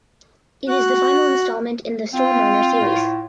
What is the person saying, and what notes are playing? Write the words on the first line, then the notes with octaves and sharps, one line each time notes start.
It is the final installment in the "Storm Runner" series.
F#4 F#6
C4 F4
A2